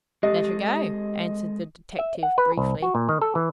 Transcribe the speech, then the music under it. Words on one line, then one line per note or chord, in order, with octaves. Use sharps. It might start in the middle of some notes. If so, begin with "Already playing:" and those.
"Let her go," answered the detective, briefly.
G#3 C4 G4 A4 D#5
E5
F#5
B4
C2
F#4
A#2
D#3
A4
E3